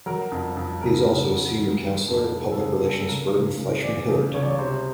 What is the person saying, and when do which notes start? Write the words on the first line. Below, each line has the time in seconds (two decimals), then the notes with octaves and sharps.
He is also a senior counselor at public relations firm Fleishman-Hillard.
0.06 F#3 A#4
0.32 F2
0.57 F2
0.81 C#3 A#4
1.08 C#3
1.32 F#3
1.57 D#3
1.82 D#3
2.08 F2
2.33 C3 G#4
2.52 A4
2.58 F#1 G#4
2.83 F#1 A4
3.00 A4
3.08 C#2 A#4
3.34 C#2
3.59 C#3
3.84 E3 D5
4.09 C#3
4.34 C#2 C#5
4.43 D5
4.50 C#5
4.59 C3 C5